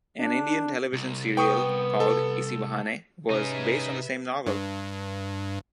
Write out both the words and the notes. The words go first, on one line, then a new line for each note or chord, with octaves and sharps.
An Indian television serial called Isi Bahane was based on the same novel.
D4
C2
B3 G5 C#6 D#6
A4
C3 C#4 D#4 G#4 B4 E5
G2